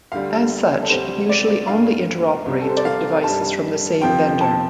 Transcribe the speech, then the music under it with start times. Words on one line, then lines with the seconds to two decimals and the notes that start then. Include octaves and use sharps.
As such it usually only interoperates with devices from the same vendor.
0.12 D2 D3 G3 F5
0.83 A4
0.89 D2 C3 G3 C5
1.29 D5
1.48 D5
1.68 G2 G3 F5
2.46 C2 C3 G3
2.62 A4
2.70 C5
2.77 D5
2.85 F5
3.23 G2 G3 A5
4.01 F2 C3 F3 G5
4.41 A5